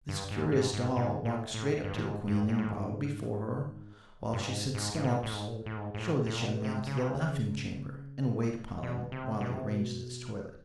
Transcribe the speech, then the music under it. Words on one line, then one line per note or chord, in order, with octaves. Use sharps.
This curious doll walked straight up to the Queen and bowed before her, while she said, "Scollops, show this young man to the laughing chamber, and wait upon him while he arranges his toilet."
G2
G#2
G#2
G#2
G#2
A2
A2
G2
A2
G#2
G2
G#2
A2
G#2
G2
G#2
G#2
G#2
A2
A2
G#2
A#2
A2
A2
G#2
G#2
A2
A2
A#2
B2
C3
C#3
C3
C#3
B2
C3
B2
C3
B2